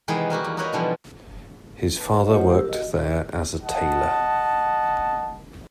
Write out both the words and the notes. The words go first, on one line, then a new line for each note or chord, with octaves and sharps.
His father worked there as a tailor.
C3 D#3 E3 G#3 B3 G#4
G3 A#3 F#4 G4
E2
D#4 F#4 A#4 B4 C#5 D#5
B2 D3 E3 F3 G3 B3
B4 A5
F#4 C#5 D#5
A3 D#4 F4 G4 C5 F#5
G4 A#4 E6
F#4 D#5
D#5 F#5 A5